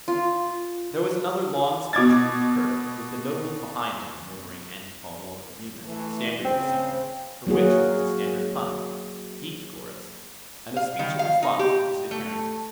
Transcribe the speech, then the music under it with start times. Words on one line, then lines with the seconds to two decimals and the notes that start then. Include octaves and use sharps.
There was another long speech from Gurgurk, with the nobles behind him murmuring antiphonal agreement--standard procedure, for which there was a standard pun, geek chorus--and a speech of response from Sid Harrington.
0.08 F4
1.93 B2 D6 G#6 A6
5.85 E3 A3
6.45 C#3 C4 C5
7.47 F#3 A#3 F#4 G#4
10.76 F5
10.99 D#3
11.19 F5
11.43 D#4
11.59 G4
12.11 A3